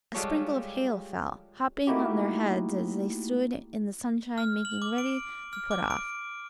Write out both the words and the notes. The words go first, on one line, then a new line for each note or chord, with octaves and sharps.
A sprinkle of hail fell, hopping on their heads as they stood in the sunshine making ready to put off.
G3 G#3 F4 G4 A4 C#5
A3 A#3 D#4 E4 F#4 G4
F6
F#7
D6
D7
F6
D6
D7